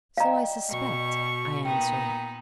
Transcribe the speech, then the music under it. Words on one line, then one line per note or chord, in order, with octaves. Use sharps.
'So I suspect,' I answered.
D5 D#5 F5 G5 A#5
B2 C#6
A#2 B3 D#4 G5